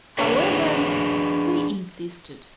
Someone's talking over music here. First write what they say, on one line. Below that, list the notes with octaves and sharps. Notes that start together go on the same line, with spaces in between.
However, they insisted.
D4 G#4 B4 C#5